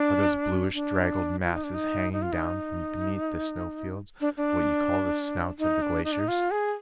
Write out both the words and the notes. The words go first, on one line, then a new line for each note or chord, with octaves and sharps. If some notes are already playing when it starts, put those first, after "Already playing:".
"Are those bluish draggled masses hanging down from beneath the snow-fields what you call the snouts of the glaciers?"
Already playing: D4
D4
F4
D#4
D4
D#4
D#4
F4
D#4
D4
D4
D#4
D4
D#4
D4
D#4
F4
G#4